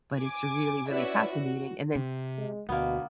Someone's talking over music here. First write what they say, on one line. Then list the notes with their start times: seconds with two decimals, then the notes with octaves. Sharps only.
but it's really really fascinating, and then,
0.18 G#5 D6
0.88 C#4 E4 F#4 B4 D5 E5
1.28 F#4
1.96 C3
2.38 G#3
2.69 D2 B2 A#3 B3